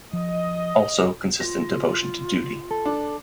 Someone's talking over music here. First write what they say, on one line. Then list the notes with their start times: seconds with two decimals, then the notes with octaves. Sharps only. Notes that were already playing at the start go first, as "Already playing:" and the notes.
Also consistent devotion to duty"".
0.13 F3 D#5
1.40 F4 A#6
2.71 A4
2.86 D4